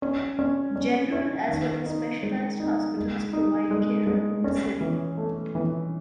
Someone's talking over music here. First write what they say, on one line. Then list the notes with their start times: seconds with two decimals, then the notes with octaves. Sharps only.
General as well as specialized hospitals provide care in the city.
0.02 C#4
0.39 C#4
0.76 C#4
1.12 C#4
1.49 D#3
1.86 D#4
2.23 G#3
2.60 D#4
2.97 G#3
3.33 D#4
3.71 G#3
4.07 G#3
4.44 C#4
4.81 E3
5.17 A3
5.55 E3